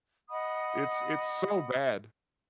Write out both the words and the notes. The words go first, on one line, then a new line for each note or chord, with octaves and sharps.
It's it's so bad.
D#5 F#5 B5 D#6